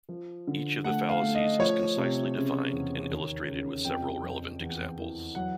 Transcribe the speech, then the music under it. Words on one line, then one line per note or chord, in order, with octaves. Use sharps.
Each of the fallacies is concisely defined and illustrated with several relevant examples.
F3
D3
A3 F#5
F5
A3
D#5
F3 C#5
C3
C#3
E2
D#2
C#3
F2 G5
F2
E2
E3
F#3 F#5